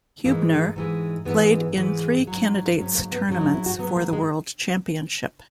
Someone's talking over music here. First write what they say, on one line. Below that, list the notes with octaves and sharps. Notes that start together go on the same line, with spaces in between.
Hubner played in three Candidates Tournaments for the World Championship.
G#2 E3 G#3 A#3
G#2 E3 G#3
G#2 E3 G#3 B3
G#2 E3 G#3
G#2 F#3
G#2 F#3 C#4
A#3
B3
G#2 F#3 C#4
D#4
E4
F#4
G#2 F#3 B3
A#3
G#3